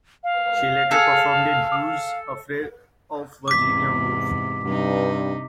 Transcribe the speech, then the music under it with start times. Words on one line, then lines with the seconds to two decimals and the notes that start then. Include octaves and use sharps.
She later performed in Who's Afraid of Virginia Woolf?
0.24 F5
0.91 G#4 A4
3.48 E2 G#2 C3 D6 B6
4.65 G2 C3 D#4